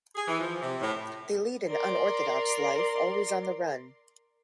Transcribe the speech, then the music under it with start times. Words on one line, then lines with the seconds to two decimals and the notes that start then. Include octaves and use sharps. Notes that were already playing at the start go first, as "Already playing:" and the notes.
They lead an unorthodox life, always on the run.
0.15 G#4
0.27 E3
0.40 F3
0.61 C3
0.81 A2
1.70 A#4 D5 C6